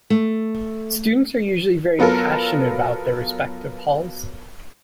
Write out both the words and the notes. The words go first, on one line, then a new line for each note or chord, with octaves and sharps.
Students are usually very passionate about their respective halls.
A3
F#3 B3 F4 A4 A#4